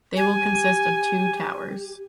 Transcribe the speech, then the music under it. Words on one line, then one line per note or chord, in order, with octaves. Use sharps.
They will consist of two towers.
G4 G#5